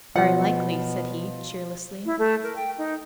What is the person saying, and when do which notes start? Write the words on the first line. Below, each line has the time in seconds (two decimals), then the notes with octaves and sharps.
"Very likely," said he cheerlessly.
0.16 B2 F3 F#5
2.05 E4
2.19 A3
2.43 A#4
2.56 G5
2.78 D#4